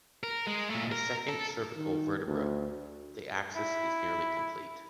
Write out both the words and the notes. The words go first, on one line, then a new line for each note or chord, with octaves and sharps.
The second cervical vertebra, the axis, is nearly complete.
A#4
G#3
A#2 A3
A#4
A4
D#3
D2
E4